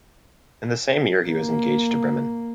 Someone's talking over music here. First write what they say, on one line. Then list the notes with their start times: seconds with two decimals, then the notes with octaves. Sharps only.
In the same year he was engaged to Bremen.
1.27 A#3